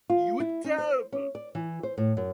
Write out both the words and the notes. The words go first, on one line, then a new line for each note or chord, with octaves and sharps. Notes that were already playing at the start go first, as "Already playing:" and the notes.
You were terrible!
F4
E4
C#4
C5
C#4
D5
E3
C5
A2
F#2